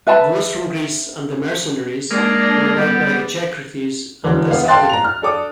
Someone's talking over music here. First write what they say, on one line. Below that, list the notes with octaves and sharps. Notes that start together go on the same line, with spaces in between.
Those from Greece and the mercenaries were led by Echecrates the Thessalian.
B4 E5 A5 B5
G#3 A#3 D4 D5
G3 B3
E1 D3 E3
B3 F5
F5 G5 A5 C6 F#6 A6
A#5 F7
F6
D4 A4 D6 D#6